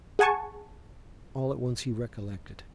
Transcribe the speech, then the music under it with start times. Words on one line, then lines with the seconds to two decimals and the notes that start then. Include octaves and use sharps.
All at once he recollected.
0.19 G#4 F#5 G#5 A5 C#6